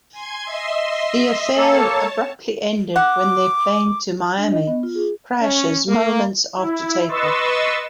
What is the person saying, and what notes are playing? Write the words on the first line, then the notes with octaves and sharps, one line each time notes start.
The affair abruptly ended when their plane to Miami crashes moments after take off.
G#5 C6 G#6
D#5 E5 C6
A#3 A4 C#5 A5
F#5 D6
D4
D#5
B3
F4
G#4
C#4
A#3
E4
B4 D#5 C6 C#6 E6 A6